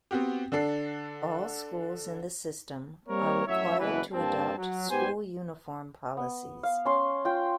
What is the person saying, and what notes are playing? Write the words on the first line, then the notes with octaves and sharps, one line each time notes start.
All schools in the system are required to adopt school uniform policies.
B3 C4 F#4 G4
D3 D4 A4 C7
G3 A#3 C4 A#4 C#5
F#2 A2 F#3 C#5 E5
F#1 E2 B2 E3 E4 B4
G2 G3 A#3 C4 A5
F#3
G#2 B3 G4 C5 G#5
B3
F5
C#4 C6
F4 G5